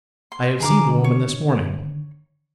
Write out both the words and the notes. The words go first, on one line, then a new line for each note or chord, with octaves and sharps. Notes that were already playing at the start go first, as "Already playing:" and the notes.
'I have seen the woman, this morning.
C6
D3 D#3 G#4 A#4 D6
C#5